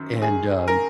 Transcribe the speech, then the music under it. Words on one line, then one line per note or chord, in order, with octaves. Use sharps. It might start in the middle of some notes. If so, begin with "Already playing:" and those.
and, um,
Already playing: F#2 D#3
G#4
A#4